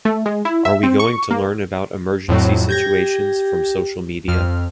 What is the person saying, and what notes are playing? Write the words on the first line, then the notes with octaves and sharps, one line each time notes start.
Are we going to learn about emergency situations from social media?
A3
G#3
E4
E5
C4
C#6
A#3
F2 A2 F#3
G4 G6 G#6 A#6
F2 F6